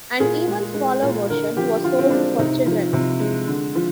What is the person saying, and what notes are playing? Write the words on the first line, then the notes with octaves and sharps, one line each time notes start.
An even smaller version was sold for children.
A#2 G#4
G#3
G#3
A#2
D3 A#4
F3 G4
D3 F4
C4
G#3 D4
C3 D#4
F3
C3
G#3
D3
F3